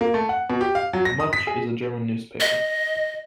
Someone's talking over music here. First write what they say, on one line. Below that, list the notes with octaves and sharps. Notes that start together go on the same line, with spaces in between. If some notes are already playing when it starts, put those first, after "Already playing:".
Munch in a German newspaper.
A#3
A3
F#5
B2
G4
F5
F#3
A#6
D#6
B6
G#4
D#5